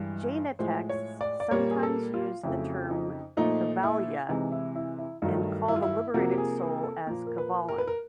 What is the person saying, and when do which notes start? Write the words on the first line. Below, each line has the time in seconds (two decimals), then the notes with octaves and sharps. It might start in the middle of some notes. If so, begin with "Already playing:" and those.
Jaina texts sometimes use the term Kevalya, and call the liberated soul as Kevalin.
Already playing: G2 E3 G#3
0.59 A2 F3 G#3 C5
0.89 C#5
1.21 D5
1.40 D5
1.51 A#2 G3 A#3 C#5
1.71 G#4
1.83 A4
2.14 F4
2.44 F2 C#3 F#3 A3 E4
2.91 D#4
3.37 A#2 F3 A3 D#4
3.83 E4
4.29 C3 E3 G#3 D#4
4.52 E4
4.75 E4
4.98 E4
5.22 G2 D#3 F#3 A3 D#4
5.68 E4
5.76 F4
5.83 E4
6.14 C3 F3 A#3 F#4
6.31 G4
6.38 G#4
6.61 G#4
6.83 A4
7.07 A#2 F3 A#3 A#4
7.27 A#4
7.38 B4
7.69 A#4
7.78 B4
7.87 A#4